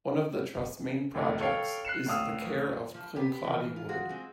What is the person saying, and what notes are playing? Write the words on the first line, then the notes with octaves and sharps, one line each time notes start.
One of the trust's main projects is the care of Kincladie Wood.
E1 A2 D3
A4 C#5 F5 G5
F#6 C7 C#7 E7
D2 A2 F5 D#6 E6
F3
B3 G4 B6
E3 F3 A#4 B4
F4
F4 F#4 G#4
G#3 C4